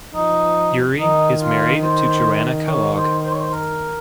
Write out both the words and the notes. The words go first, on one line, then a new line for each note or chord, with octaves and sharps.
Uhry is married to Joanna Kellogg.
F3 D#4
D#3 D#4
F4
C5
C#5
C5
C5
C#5
C5
A#4